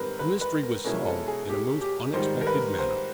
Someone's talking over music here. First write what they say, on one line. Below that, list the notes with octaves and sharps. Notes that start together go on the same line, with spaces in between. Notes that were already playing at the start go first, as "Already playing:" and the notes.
The mystery was solved in a most unexpected manner.
Already playing: G#2 D#3 G3 C4 A#4 B4
B4
B4
A#4
B2 G#3 C#4 E4 A#4
A4
G#4
G4
G4
G#2 D#3 G3 C5
A#4
B4
C5